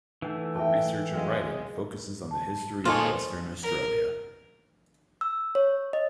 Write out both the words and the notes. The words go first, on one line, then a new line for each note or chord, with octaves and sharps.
Her research and writing focuses on the history of Western Australia.
E3 A3 D4 D#4 F#5
E5 G5 A5
G#3 A#4 D#5 F5
A5
A#2 A#3 D#4 F4 G#4 A4 C5 C#6
A#4
E6
C#5
D#5